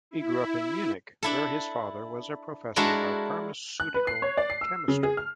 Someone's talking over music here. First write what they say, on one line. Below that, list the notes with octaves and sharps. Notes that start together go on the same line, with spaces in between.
He grew up in Munich where his father was a professor of pharmaceutical chemistry.
E4
D4 E4 A4
G#3 D4 E4 F#4 A4 A#4
F#6
B4
C7
C#5
D5
C7
E6
C#3
G#4
F6